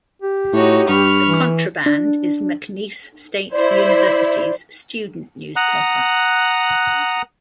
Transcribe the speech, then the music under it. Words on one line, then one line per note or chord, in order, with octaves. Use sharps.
"The Contraband" is McNeese State University's student newspaper.
G4
A2 D#4 F#4 C#5
G2 B5 C#6 F6
E3
D4
E4 C5 D5
F#5 A#5 D#6 F#6